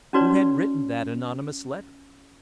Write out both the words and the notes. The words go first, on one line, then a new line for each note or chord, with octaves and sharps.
Who had written that anonymous letter?
C#4 D#4 F#4 B4 C#5 D5